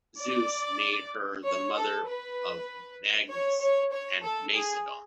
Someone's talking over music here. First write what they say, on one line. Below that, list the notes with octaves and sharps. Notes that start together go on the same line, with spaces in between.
Zeus made her the mother of Magnes and Macedon.
D5
C#5
A4
B4
C#5
C#5
C#5
A4
G#4